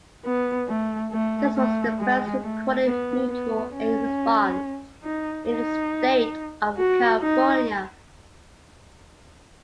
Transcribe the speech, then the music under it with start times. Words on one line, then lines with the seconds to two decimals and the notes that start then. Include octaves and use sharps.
This was the first recorded mutual aid response in the state of California.
0.25 B3
0.68 A3
1.12 A3
1.56 A3
1.99 G#3
2.42 A3
2.86 B3
3.29 B3
3.74 C#4
5.03 D#4
5.48 D#4
6.77 F#4
7.22 D#4